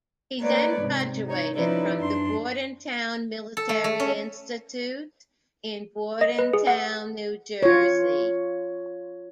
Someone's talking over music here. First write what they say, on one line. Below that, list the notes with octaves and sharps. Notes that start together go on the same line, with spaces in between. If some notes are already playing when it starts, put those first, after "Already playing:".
He then graduated from the Bordentown Military Institute in Bordentown, New Jersey.
A3 A#3 B4 C#5 D5
G#2 C3
D#4 C#5
F3 C#4 D#4 E4 B4 D5
F#2 D4 C6
A4
A3
A3
C#4
D#5
B4
G#4
F#5
F4 C#5